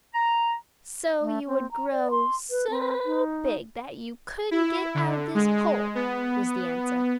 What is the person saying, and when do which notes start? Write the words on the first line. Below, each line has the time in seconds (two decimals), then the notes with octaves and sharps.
"So you would grow so big that you couldn't get out of this hole," was the answer.
0.14 A#5
1.21 A3
1.48 C4
1.71 A#5
1.91 D5
2.11 C6
2.50 B4
2.70 C4
3.05 D#4
4.51 E4
4.95 D3
5.35 G#3
5.95 B3